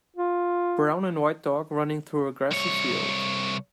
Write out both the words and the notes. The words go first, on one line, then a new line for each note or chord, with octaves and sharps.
Brown and white dog running through a grassy field.
F4
C2 C#5